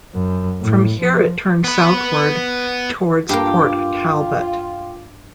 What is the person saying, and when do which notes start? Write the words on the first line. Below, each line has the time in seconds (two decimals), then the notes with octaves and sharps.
From here it turns southward towards Port Talbot.
0.14 F#2
0.61 A2
0.99 F3
1.64 B3 B4
3.29 G2 A#3 F4 G4